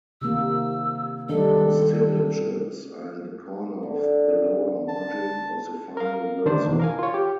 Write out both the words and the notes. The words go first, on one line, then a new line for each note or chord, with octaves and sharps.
Most signatures are in the corner of the lower margin of the final verso.
C3 D#3 A#3 E6
D#3 G3 D4 A4
D3
A5
A#4 F5
D2 D#3 D4 C5
E2 B2 E3
A#4 F5 G#5
F4 C#5
G4